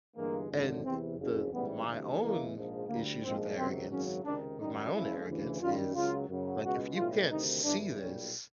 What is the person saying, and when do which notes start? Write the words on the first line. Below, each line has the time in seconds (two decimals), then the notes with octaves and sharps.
and, uh, the my own issues with arrogance with my own arrogance is, like, if you can't see this,
0.16 G1 G2 E3 G#3 A#3
0.50 G#1 F#2 D3
0.84 E2 C3 E3 C4
1.18 F#1 F2 C#3
1.52 A1 G#2 E3 G3 B3
1.87 D2 C3 E3 G3
2.20 E2 C#3 E3 G#3 A#3
2.54 A#1 G#2 F3 G#3
2.88 D2 D3 G3 A#3
3.23 A#1 G#2 F3 G#3 C4
3.57 C#2 C3 D#3 F#3 C4
3.90 G#1 F#2 C#3 F#3 C#4
4.24 C#2 C3 D#3 D4
4.58 F#2 D#3 G3 D#4
4.92 F#1 F2 C#3 F3 G#3 E4
5.26 D2 C#3 E3
5.61 F#2 D#3 G3 F4
5.94 C#2 C#3 F#3 F4
6.29 F#2 C#3 F#3
6.62 C#2 B2 G#3 F#4
6.96 B1 A2 E3 G3 F4
7.30 D2 C3 D#3 D#4
7.64 G1 G2 E3 D4
7.98 B1 A#2 G3 C#4